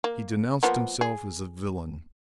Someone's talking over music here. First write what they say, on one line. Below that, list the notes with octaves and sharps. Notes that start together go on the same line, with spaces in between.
He denounced himself as a villain.
A#3
F3 A#3 B3
G#4